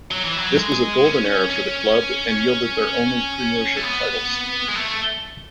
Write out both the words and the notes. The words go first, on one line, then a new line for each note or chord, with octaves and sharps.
This was a golden era for the club and yielded their only premiership titles.
F#3
E3
F#3
G#3
C#4
C#4
A3
B3
G#3
A3